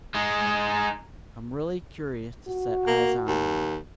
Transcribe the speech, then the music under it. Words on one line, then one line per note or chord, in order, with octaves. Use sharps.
I'm really curious to set eyes on him.
G#3 D#4
F#4
A#3
D#2